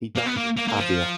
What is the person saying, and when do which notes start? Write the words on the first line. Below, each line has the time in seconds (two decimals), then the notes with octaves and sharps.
He died in Pavia.
0.17 A#3
0.27 B3
0.37 A#3
0.57 A#3
0.68 A#3
0.77 F3